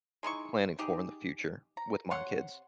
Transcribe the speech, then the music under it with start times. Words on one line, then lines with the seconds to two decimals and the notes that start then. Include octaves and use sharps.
planning for in the future, with my kids.
0.23 G#3 D#4 E4 C#6
0.79 D#4 G4 G#4
1.77 A#5
2.10 C3 C#5 F#5 C6